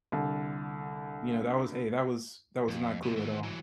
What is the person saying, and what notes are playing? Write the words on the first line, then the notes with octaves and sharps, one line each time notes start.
you know, that was a that was that was not cool at all.
C2 D3
F2
C2 B2
D#2 E3
E3 F#3